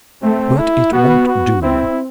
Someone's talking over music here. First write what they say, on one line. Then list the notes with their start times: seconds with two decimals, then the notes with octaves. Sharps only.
'But it won't do.
0.23 A3 C4
0.58 E4
0.93 B3 F#4
1.28 F#4
1.63 C4 E4